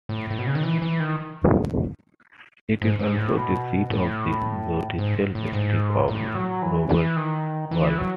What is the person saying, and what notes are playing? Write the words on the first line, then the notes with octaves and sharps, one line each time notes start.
It is also the seat of the judicial district of Roberval.
A2
A2
B2
C#3
D#3
E3
E3
D#3
G#2
G#2
A2
B2
A2
G#2
A2
G#2
A2
F#3
E3
E3
D#3
E3
F#3